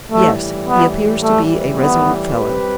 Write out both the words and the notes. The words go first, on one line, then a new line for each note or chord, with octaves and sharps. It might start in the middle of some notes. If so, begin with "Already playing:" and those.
"Yes; he appears to be a resolute fellow."
A2 E3 G3 A3
B3
A3
B3
G3 C4 G4 B4